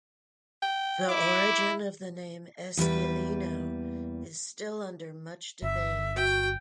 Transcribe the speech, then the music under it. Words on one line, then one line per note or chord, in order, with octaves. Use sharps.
The origin of the name "Esquilino" is still under much debate.
G5
E4 D6
E2 G3 A#3 B4
G1 E5
F#4 G5